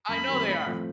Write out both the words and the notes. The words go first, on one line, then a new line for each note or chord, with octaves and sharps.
I know they are.
F#2 B5
D#3 G3 C4
A2
F3 A3 C4